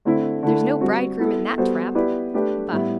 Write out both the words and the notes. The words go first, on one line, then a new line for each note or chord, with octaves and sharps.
"There's no bridegroom in that trap."
D3 A3 C4 E4
D3 A3 E4
G3 C4 F#4
B3 E4 A4
G3 B3 F#4 A4 C5
B3 E4 G4 B4 D5
A3 D4 G4 B4
A2 G3 B3 E4